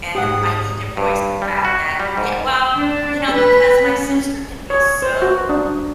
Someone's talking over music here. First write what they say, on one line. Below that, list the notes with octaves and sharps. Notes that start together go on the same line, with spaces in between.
and I need to voice the fact that yea well, you know, because my sister can be so
G#2 G4 F#5 D#6
G2
G3
F#4
G3
G#2
D4
B4
C#4
C#5
C5
F#4
D4